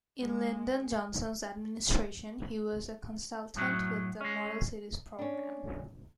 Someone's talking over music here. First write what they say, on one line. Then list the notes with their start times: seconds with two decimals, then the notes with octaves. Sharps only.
In Lyndon Johnson's administration he was a consultant with the Model Cities Program.
0.21 G#3
3.56 F#2 A2 F#3
4.21 G#3 C#4
5.19 C#4 D4